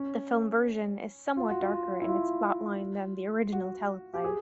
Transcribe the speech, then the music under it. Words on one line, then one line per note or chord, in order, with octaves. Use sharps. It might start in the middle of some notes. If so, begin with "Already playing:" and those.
The film version is somewhat darker in its plotline than the original teleplay.
Already playing: C#4
F4
F#4
F4
E4
F4
F#4
G4
G#4